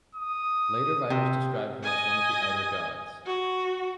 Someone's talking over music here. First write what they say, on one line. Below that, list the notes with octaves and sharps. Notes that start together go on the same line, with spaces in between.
Later writers describe him as one of the Outer Gods.
D#6
C3
D#5 G#5
F#4